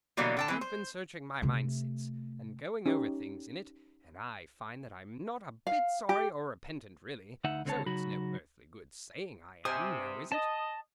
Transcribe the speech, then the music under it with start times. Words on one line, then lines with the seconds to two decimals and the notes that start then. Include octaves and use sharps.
But I've been searching my mind since, and going over things in it, and I find that I'm not a bit sorry or repentant really, so it's no earthly good saying I am; now, is it?'
0.17 B2 D3 E3 F#3 G3 A#3
0.37 D3 G5 A5
0.48 E3 G#3 C4
0.61 C5
1.42 C3 A3
2.86 C#4 D#4 G4
5.67 F5
6.09 G4
7.44 D2 D#4 E5 F#5
7.65 C#2 D3 C4 D4 C#5 A5
7.86 C#3 F#3 D#4 F#4 B5
9.65 C3 C5 G#5 D#6
10.32 D#5 A5